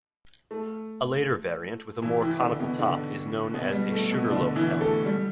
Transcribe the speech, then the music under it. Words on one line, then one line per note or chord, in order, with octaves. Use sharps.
A later variant with a more conical top is known as a 'sugarloaf helm'.
A3
E3 E4
G4
E3 E4
D3 D4
B2 B3
D3 D4
B2 B3
G3
A3
B2 B3
D3 D4
E3 E4
A3 A4
G3